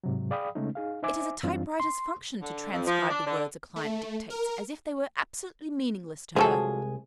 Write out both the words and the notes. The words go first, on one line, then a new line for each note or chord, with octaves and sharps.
It is a typewriter's function to transcribe the words a client dictates as if they were absolutely meaningless to her.'
G#2 C3 F#3
G#4 D5 F5 G5 B5 D#6
C#3 G#3 A3 C#4 D#4
D#4 G#4 F5
D#4 C5 E5 G#5 D6
F#2 E3 G3 C4 D4 F4
C6
D3
F2
F3
D4
D3
A3
A#4
C2 F3 F#3 G#3 G#4 A4